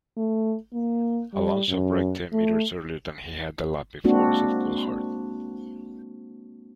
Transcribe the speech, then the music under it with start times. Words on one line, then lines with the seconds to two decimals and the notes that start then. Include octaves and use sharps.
"Alonso braked ten metres earlier than he had the lap before," said Coulthard.
0.17 A3
0.73 A#3
1.34 G3
1.69 F#2
2.33 A3
4.04 G#3 A#3 C4 D4 F#4